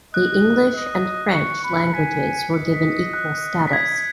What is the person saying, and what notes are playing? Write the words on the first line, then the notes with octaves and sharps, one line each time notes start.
The English and French languages were given equal status.
D#5 F#6
D#5
C#6 C#7
B5
G#5 B6
D#5 C#7
B6
F#6
B6
G#6